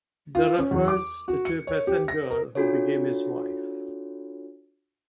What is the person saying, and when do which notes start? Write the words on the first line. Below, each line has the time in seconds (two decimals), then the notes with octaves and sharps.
The refers to a peasant girl who became his wife.
0.35 F4
0.58 C#4
0.71 E2
0.88 D6
1.28 F#4
1.45 C#7
1.67 C#5
1.87 G4
2.08 A#6
2.30 A#4
2.55 D4 F4 F#4 A4 C#5